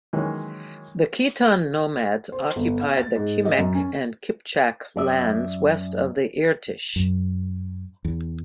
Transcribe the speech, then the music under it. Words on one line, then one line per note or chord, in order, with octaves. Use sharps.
The Khitan nomads occupied the Kimek and Kipchak lands west of the Irtysh.
D#3 E3 F#3 G#3 A#3 C#4
C5
G1
F5
A6
G#2
D#5
F#2
C#4
F#2 D5 E5
F#2
E2